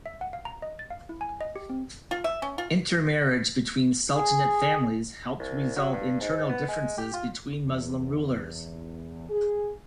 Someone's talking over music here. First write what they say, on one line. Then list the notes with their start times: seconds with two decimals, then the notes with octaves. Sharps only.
Intermarriage between Sultanate families helped resolve internal differences between Muslim rulers.
0.06 E5
0.21 F#5
0.33 F5
0.45 A#5
0.62 D#5
0.79 A6
0.90 F5
1.09 E4
1.21 G#5
1.41 D#5
1.56 G4
1.70 C4
2.11 F4
2.24 E5
2.42 C#4
2.58 F4
4.15 G#4
5.39 C2
5.76 F#3
5.93 G2
6.21 G#2
6.50 B3
6.68 G#3
6.98 G4
7.13 F4
7.64 E2
9.30 G#4